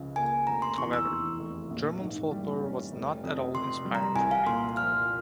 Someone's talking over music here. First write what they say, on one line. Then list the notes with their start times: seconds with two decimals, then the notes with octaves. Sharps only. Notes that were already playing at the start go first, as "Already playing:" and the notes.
However, German folklore was not at all inspiring for me.
Already playing: C#2 C#3 F3
0.16 A#3 G#5
0.47 F1 A#5
0.62 C6
0.78 E2 C#6
0.93 E6
1.08 E3
1.39 F1
1.70 A#1
2.01 G#2
2.31 G3
2.63 C#4
2.92 F1
3.24 F2
3.54 C3 C6
3.85 G3
3.95 A#5
4.15 C2 G#5
4.31 F5
4.46 A#2 C6
4.77 F3 F6